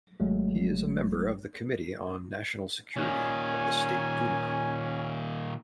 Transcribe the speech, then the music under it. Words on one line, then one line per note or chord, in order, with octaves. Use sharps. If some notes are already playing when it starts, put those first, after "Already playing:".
He is a member of the Committee on National Security of the State Duma.
G#1 F#3 G#3 A3
A#2 D#3 C#4 G#5